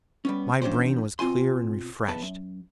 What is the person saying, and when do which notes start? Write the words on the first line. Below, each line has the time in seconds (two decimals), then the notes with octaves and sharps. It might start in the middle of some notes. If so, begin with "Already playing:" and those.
My brain was clear and refreshed.
0.25 G3 B3 C#4
0.62 E3 C#4 D4 F#4 G4 C5
1.19 B2 C4 F4 G#5 C6
2.08 B1 E2 B3 A5
2.22 F#2